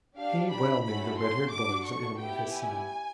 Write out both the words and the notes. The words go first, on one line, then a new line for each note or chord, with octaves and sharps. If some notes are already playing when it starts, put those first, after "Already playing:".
He well knew the red-haired bully was an enemy of his son.
D4 G4 F5
B5
A3 C#4 F#4 A4 B5
C6
D4 F#4 A4 D6
C#6
B3 E4 G4 G5
G#5